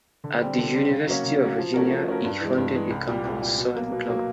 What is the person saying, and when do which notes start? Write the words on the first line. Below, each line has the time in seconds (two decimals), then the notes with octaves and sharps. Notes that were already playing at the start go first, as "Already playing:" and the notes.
At the University of Virginia, he founded a campus soaring club.
0.24 D3
0.41 G3 C4
0.58 D3
0.74 G3 C4
0.91 C#3
1.07 F#3 A#3 C#4 F#4
1.24 C#3
1.42 F#3 A#3 C#4 F#4
1.58 F3
1.74 A3 C#4 F#4 A#4
1.91 F3
2.08 A3 C#4 F#4 A#4
2.24 G2
2.41 E3 G#3
2.58 G2
2.74 E3 G#3
2.91 C2
3.08 A#2 G3
3.25 C2
3.41 A#2 G3
3.58 B2
3.74 F#3 A#3
3.92 B2
4.08 F#3 A#3